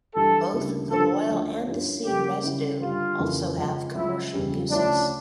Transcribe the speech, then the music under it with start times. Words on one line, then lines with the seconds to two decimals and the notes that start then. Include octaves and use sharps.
Both the oil and the seed residue also have commercial uses.
0.15 G2 E3 G3 A4
0.53 D2 C#3 G3 A#3 E4
0.91 G2 D3 F3 A#3 A4
1.29 D2 D3 F3 C#4
1.67 G2 F3 C#4 E4
2.05 C#3 G3 A#3 G4
2.43 C#3 G3 C#4 E4
2.81 G2 D3 G3 F4
3.19 F2 C#3 E3 A#3 E4
3.57 C#2 C#3 F3
3.95 C#2 C#3 F3 E4
4.33 E2 C#3 G3
4.70 D2 C#3 F3 C#4 D4 E4